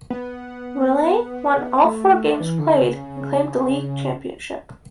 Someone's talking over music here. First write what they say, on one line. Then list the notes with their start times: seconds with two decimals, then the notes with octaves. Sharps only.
Raleigh won all four games played and claimed the league championship.
0.10 B3
1.83 A3
2.40 E3
2.59 D3
2.79 C#3